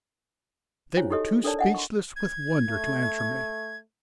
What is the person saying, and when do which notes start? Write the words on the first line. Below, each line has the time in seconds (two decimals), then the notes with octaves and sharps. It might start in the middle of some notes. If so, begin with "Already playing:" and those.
They were too speechless with wonder to answer me.
0.97 E4 C5 C#5 G#5
1.10 D#4 F#4 G4 A4 C#5 D#5
1.44 D4 A4 A#4 C#5 D5 A5
1.59 D#5 F#5 G#5
1.74 C6 C#6
2.16 G#6
2.69 A3